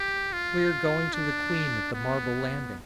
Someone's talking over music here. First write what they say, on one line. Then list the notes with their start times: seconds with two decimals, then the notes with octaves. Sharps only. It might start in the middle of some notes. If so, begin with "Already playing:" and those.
We are going to the queen at the marble landing.
Already playing: G4
0.33 F4
1.13 D4
1.94 B3